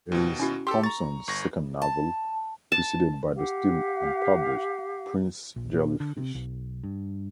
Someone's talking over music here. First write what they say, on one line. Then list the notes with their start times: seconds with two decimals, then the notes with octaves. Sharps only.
It is Thompson's second novel, preceded by the still-unpublished "Prince Jellyfish".
0.12 D#2 B2
0.40 C#4 E4 F#4
0.67 G4 A4 C6 E6
0.84 A#5 C#6 A6
1.28 G1 C#6 A#6
1.82 A5
2.72 A5
3.36 G4 F5 F#5
5.56 A#1
5.73 A#2
6.00 D3
6.17 C3
6.35 B1
6.83 G2